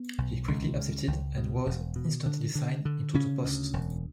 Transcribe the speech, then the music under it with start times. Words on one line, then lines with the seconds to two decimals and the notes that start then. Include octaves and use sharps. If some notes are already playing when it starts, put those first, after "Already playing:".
He quickly accepted, and was instantly signed into the post.
Already playing: B3
0.18 B1
0.48 C#2
0.79 C#3
1.07 C#2
1.37 B2
1.66 E1
1.96 B2
2.26 D3
2.55 D3
2.85 D3
3.14 C#3 C#4
3.44 D2
3.73 E1